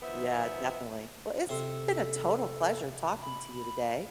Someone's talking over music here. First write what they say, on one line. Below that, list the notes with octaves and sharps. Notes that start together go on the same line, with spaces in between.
Yeah, definitely. Well, it's been a total pleasure talking to you today,
D#3 F3 B3 C5 E5
C3 A4 C6
B5